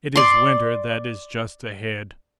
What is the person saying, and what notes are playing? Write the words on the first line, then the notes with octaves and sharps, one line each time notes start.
It is winter that is just ahead.
D5 C6